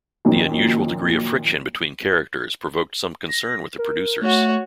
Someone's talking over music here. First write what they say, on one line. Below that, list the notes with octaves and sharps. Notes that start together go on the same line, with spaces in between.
The unusual degree of friction between characters provoked some concern with the producers.
F#2 A#2 D#3 F3
A#6
A#4
A3 F#4 C#5